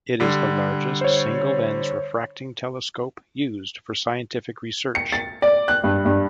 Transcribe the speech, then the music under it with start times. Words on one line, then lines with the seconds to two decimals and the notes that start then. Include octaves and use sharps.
It is the largest single lens refracting telescope used for scientific research.
0.20 D3 G3
1.01 C5 C#5
4.95 C#7
5.12 A6
5.42 D5
5.68 F#6
5.84 G2
6.05 G2